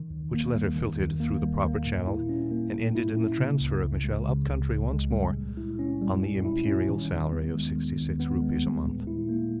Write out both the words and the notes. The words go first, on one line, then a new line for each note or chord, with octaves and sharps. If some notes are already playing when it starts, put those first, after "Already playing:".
Which letter filtered through the Proper Channels, and ended in the transfer of Michele up-country once more, on the Imperial salary of sixty-six rupees a month.
Already playing: D#3
D#2
A#3
G3
D#3
D#2
A#3
G3
A#3
A#2
E4
C#4
A#3
A#2
E4
C#4
C#3
C#2
C#2
G#3
C#3
C#2
C#2
G#3
G3
A#2
E4
C#4
G3
A#2
E4
C#4
D#3
D#2
B3
G#3
D#3
D#2
B3
G#3
G3
A#2
E4
A#3